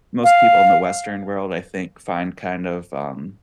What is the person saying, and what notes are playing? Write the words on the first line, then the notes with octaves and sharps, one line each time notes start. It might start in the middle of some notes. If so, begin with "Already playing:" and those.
most people in the Western world, I think, find kind of, um,
F5